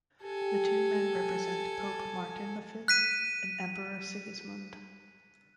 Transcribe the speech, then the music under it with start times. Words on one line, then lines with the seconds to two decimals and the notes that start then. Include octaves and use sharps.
The two men represent Pope Martin the Fifth and Emperor Sigismund.
0.23 G4 A4 G#5
2.88 F#6 B6 D#7